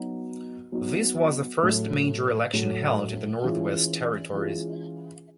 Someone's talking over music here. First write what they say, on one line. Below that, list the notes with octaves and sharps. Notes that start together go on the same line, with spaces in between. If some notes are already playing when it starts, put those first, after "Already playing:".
This was the first major election held in the Northwest Territories.
Already playing: F#3 B3 D#4 F#4
F#3 B3 D#4 F#4
A2 F#3 A3
A2 F#3 A3
E3 G#3 C#4 F4 G#4
E3 G#3 C#4 F4 G#4